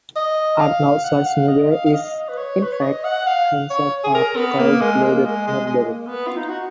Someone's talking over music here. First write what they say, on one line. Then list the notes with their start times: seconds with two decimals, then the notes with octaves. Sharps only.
Arnold Schwarzenegger is, in fact, himself a cold blooded murderer.
0.16 D#5
0.60 F5
1.04 F#5
1.26 F5
1.48 D#5
1.71 F5
1.86 F5
1.94 D#5
2.29 B4
2.38 C#5
2.63 B4
2.73 C#5
2.82 D#5
3.04 F#5
3.27 F5
3.70 C#5
4.04 G#4
4.15 A#4
4.36 B3
4.59 A#3
4.81 G#3
5.03 A#3
5.26 G#3
5.48 G#3
5.66 G#3
5.78 A#3
6.07 B3
6.28 F4
6.37 D#4
6.49 F#4